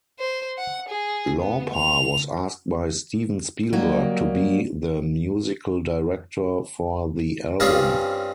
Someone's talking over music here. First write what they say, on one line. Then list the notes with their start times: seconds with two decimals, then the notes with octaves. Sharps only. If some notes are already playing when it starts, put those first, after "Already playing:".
Lauper was asked by Steven Spielberg to be the musical director for the album.
0.19 C5
0.58 F#5
0.89 G#4
1.41 B3
1.75 F7
3.73 F#3 G3 A#3 D#5
7.60 G2 G3 C4 C#4 F4 G#4